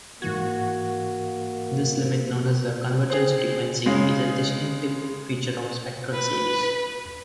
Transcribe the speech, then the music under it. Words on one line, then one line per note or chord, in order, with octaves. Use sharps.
This limit, known as the convergence frequency is a distinctive feature of spectral series.
G#2 E3 A#3 F#4 G#6
C4 G#4
C#3 G#3
B4